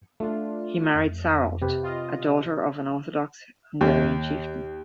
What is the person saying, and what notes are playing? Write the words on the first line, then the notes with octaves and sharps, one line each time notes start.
He married Sarolt, a daughter of an Orthodox Hungarian chieftain.
A3 D4 F4
F2
C3 G4 B4
F4 D#5
D#2